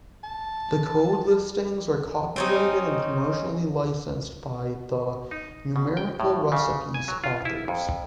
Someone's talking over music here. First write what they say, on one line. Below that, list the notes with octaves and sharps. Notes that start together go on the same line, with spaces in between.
The code listings are copyrighted and commercially licensed by the "Numerical Recipes" authors.
A5
C4 C#4 D#4
D#4
B2
G5
A2
C#3
G#5
F#3
F4
E4
F2